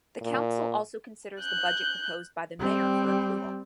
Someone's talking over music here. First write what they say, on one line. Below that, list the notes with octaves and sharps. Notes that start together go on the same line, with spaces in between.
The council also considers the budget proposed by the mayor for approval.
A#2
F#6 G6
G3 C4